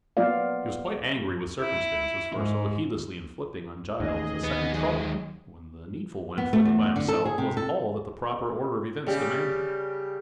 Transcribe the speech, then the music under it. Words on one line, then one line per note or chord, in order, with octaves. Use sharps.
He was quite angry with circumstances for so heedlessly inflicting on Giles a second trouble when the needful one inflicted by himself was all that the proper order of events demanded.
F#3 A#3 B3 F4 D5 F5
E4
G#2
A1 D#2 G#4 D#5
D#2 B3
F#3 G#3
B3
A3
E2
D3
A4
G#4
C3
A4
C#3 G3 G4